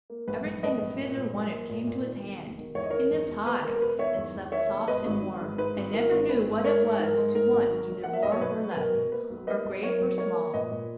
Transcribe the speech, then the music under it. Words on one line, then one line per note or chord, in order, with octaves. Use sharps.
Everything the Fiddler wanted came to his hand. He lived high, and slept soft and warm, and never knew what it was to want either more or less, or great or small.
A#3
A#1 B4
A#1
A#1 B4 D#5
A#1
A#2
A#2
A#1
A#3
A#2
A#2
D#3
E1
E1
D#3
E2 C#5
D#5
D#3 A#4 C#5
E2
E1
E1 B4
E1 A#4
A#4
E1 B4
D#3 C#5 E5
E2
E2
D#3 C#5 E5
E1
G#2 B4 D#5
G#1
G#1
G#2
G#2 B4
G#1
E3 A#4
G#1
G#1 B4
G#2
G#3 A#4 C#5
G#2
G#2 A#4
G#3
G#2 A#4
G#1
F#3
B1
A#3 F#5
E5
B1 D#5
C#5
B2 B4
F#3
B4
B2 A#4
B2
A#3 B4
B1
A#3 B4 D#5
B1
F#3 A#4 C#5
B1
A#3 A#4 C#5
A#3
A#2 B4 D#5
A#2